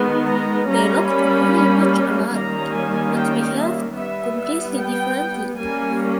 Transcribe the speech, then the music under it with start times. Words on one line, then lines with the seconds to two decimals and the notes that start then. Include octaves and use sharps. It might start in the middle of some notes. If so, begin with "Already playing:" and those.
They looked very much alike but behaved completely differently.
Already playing: D#3 G#3 B3
0.26 A#5
0.67 G3 A#3 C#4 A#5
1.08 B5
2.31 D#3 G3 A#3 C#4 A#5
2.72 G#5
3.14 G5
3.55 E5
3.95 G3 B3 E5
4.36 E5
4.76 G5
5.58 G3 A#3 C#4 G#5